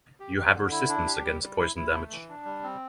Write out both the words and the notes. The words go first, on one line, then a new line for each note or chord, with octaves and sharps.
You have resistance against poison damage.
G4
G4
D3
E4
D4
G4
G3
G3
E4
E4
A3
E3
D4
G3
C4